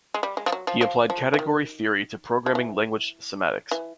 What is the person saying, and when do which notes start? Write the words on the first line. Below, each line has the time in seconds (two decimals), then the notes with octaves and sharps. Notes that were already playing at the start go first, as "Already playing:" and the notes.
He applied category theory to programming language semantics.
0.14 G#3
0.23 G3
0.37 G#3
0.46 F3
0.52 F#3
0.67 F3
0.81 F3
1.10 F3
1.34 E3
1.39 D#3
2.46 F3
2.55 E3
3.71 E3